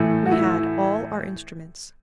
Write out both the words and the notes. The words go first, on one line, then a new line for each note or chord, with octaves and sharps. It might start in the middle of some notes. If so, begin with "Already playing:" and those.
We had all our instruments.
Already playing: A2 E3 A3
F#4
E4